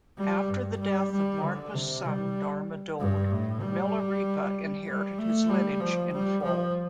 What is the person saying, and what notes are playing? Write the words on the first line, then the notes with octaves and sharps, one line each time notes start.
After the death of Marpa's son, Darma Dode, Milarepa inherited his lineage in full.
G3
G2
G3
G3
D3
C3
G3
G2
A2
G3
G3
A3
G3
F3
G3
F3